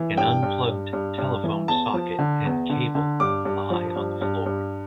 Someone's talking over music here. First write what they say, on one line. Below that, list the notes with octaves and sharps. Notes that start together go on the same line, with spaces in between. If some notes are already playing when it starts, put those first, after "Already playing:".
An unplugged telephone socket and cable lie on the floor.
Already playing: E3
G2 G5
G2
G2
G2
G2
E3
E2 A5
F3
D3
E2
D3
D3
G2 D6
G2
F3
G2
G2
G2